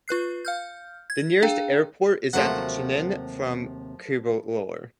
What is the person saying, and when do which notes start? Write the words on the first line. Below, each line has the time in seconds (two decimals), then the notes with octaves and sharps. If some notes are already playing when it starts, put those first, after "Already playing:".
The nearest airport is at Chennai, from Cuddalore.
0.08 F4 B4 F#6 C7
0.45 F5 F6 G6
1.10 G#6
1.42 D4 G#4 F5 G5
2.33 D#2 C3 F3 F#3 A3 C5 F#5